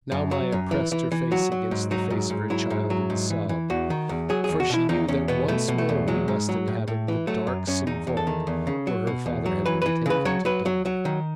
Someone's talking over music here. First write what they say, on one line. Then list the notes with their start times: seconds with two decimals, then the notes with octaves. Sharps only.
Now Maya pressed her face against the face of her child and sobbed, for she knew that once more we must inhabit the darksome vault where her father had been taken to die.
0.12 F#2
0.31 F#3
0.52 F#2
0.71 E3
0.92 E3
1.12 E3
1.32 F#3 F#4
1.52 F#3
1.71 G#2
1.91 F#3 D#4
2.10 G#2
2.30 G#2
2.50 F#3 E4
2.70 G#2
2.90 F#3
3.10 G#2
3.30 E3
3.49 E3
3.70 E2 F#4
3.90 D#3
4.09 E2
4.30 F#3 G#4
4.44 E2 G#4
4.60 F#4
4.70 B2 E4
4.89 E2 D#4
5.08 E2 C#4
5.28 B2 B3
5.48 B2 A3
5.68 B2
5.78 A3
5.89 E2
6.08 F#3 G#3
6.28 G#2
6.49 F#3
6.68 A2
6.88 A2
7.08 E3
7.27 F#3 A3
7.47 F#2
7.67 F#2 C#4
7.87 E2 D#4
8.07 E2
8.17 A4
8.27 D#3
8.47 E2
8.67 C#3
8.87 F#3
9.07 B2
9.26 E2
9.46 F#3
9.65 E3 B4
9.82 E3 B4
10.06 C#3 B4
10.25 F#3 C#5
10.45 F#3 B4
10.66 F#3
10.85 F#3
11.05 D#3